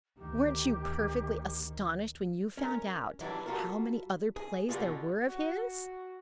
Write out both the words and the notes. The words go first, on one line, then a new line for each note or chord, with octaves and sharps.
Weren't you perfectly astonished when you found out how many other plays there were of his?
D2 D#3 G4
C#4 A#4
E3 F#3 G3 D4
G3 F4 F#4 A4 A#4
G#4
B2 D3 G3 F4 F#4 G#4
F#4